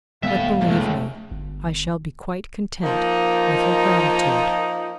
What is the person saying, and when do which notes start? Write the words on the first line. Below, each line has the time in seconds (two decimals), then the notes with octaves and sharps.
But, believe me, I shall be quite content with your gratitude.
0.23 D#1 A2 G#3 B3 E5 F5
0.61 F1 C#2 G#2 A3
1.31 G1
2.83 F3 A#3 D#4